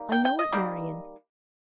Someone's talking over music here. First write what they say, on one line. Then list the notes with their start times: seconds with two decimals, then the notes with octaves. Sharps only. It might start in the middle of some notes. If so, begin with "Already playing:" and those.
"I know it, Marian."
Already playing: D#3 G3 A#3
0.12 G5
0.25 G5
0.39 D#5
0.52 D#3 G3 A#3